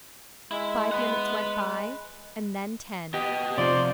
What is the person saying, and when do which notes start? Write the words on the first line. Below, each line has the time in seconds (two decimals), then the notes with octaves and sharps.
Five minutes went by and then ten.
0.51 G#3 E4
0.91 B4 F#5
3.14 B3 G4 D#5 D#6
3.58 C3 F3 F4 C5 D5 C6